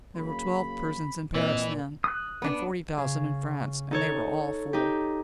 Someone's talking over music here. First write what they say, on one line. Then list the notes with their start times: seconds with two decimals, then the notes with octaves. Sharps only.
There were twelve prisons in Paris then, and forty thousand in France, and they were all full.
0.15 C#3 F#3 A#3 B5
1.34 A#2 E3 C4 D#5
2.04 D#6 F#6
2.42 B3 D4
2.98 C#3
3.91 D#4 A4 C#5
4.73 D#4 G4